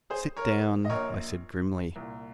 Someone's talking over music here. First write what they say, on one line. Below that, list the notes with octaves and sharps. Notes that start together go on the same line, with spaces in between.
"Sit down," I said grimly.
G#4 C5
A#4 C#5
D#5
A#1 A#2 A#4 C#5
C2 A#2